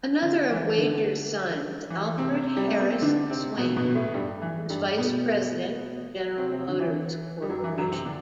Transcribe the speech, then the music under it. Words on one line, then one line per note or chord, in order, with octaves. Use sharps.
Another of Wager's sons, Alfred Harris Swayne, was vice president of General Motors Corporation.
D3
E3
D3
E3
C3 C4
G3
A3
B3
C4
D3 D4
C3 C4
B2 B3
B2 B3
A2 A3
G2 G3
E3
G2 G3
B2 B3
C3 C4
C3 C4
D3
E3
G3
F#2 F#3
E3
F#2 F#3
C3 C4
D3 D4